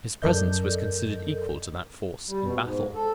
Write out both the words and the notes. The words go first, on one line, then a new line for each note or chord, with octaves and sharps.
His presence was considered equal to that force in battle.
F#2 A4 A#4 D5 D#5 G6
G3
B2
G#2
A4